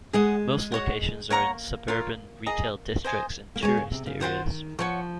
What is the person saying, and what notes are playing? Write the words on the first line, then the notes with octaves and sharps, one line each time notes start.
Most locations are in suburban retail districts and tourist areas.
G#3 G#4 D#5 F#5
F#4 C#5 F#5
A#3 C#5 F#5 A#5 C#6
F4 A#4 C#5
G#4 D#5 A#5
C5 D#5 G#5
A#3
G#3 C#5 G#5 C#6
C#3
C3
C#3
D#3 F4 G#4 C5 F#5
F3 C#5 F#5 C#6